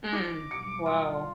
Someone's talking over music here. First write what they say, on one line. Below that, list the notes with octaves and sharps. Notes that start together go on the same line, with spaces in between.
Mm, wow.
D#4 D6 A#6
B1 G2 C#7
F4